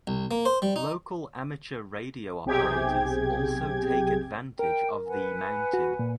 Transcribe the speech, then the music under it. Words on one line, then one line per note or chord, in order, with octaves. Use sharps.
Local amateur radio operators also take advantage of the mountain.
C2
A#3
C5
G3
D#4
B1 C3 G4 G#4 G5 G#6
A#4 G5
B4 F#5 G#5
F#4
A#2